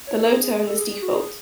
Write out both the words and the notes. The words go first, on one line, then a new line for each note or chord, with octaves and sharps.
The low tone is default.
C#5
A4
G#4
G#4
G#4
A4
G#4
G#4
F#4
G#4